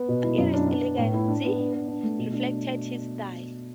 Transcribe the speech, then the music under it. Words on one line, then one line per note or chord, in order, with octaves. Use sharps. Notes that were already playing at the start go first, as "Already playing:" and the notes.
As one of Durango's founding fathers it's elegance reflected his style.
Already playing: B3
B2
E4
F#2
D4
D4
B3
A2
E4
D4
B3
D4
B3
D4
A3
B2
D4